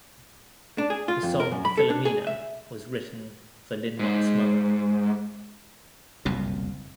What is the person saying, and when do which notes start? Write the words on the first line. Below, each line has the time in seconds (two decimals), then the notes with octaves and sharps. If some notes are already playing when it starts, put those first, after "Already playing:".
The song "Philomena" was written for Lynott's mother.
0.78 D4
0.90 G#4
1.08 F4
1.23 F2
1.40 A#4
1.52 F#2
1.65 B5
1.77 A4
1.90 D4
2.05 G#4
2.27 E5
3.99 G#2
6.25 F#1 C2 F2 B2